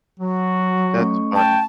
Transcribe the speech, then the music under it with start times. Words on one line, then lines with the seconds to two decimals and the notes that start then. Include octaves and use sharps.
That's fun,
0.20 F#3 F#4
0.98 A3 C#4 C#6
1.35 G5 A5